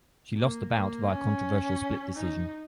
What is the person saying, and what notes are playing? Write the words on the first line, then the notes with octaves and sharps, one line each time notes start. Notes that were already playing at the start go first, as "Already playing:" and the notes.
She lost the bout via controversial split decision.
A#3
A#3
C#4
D#4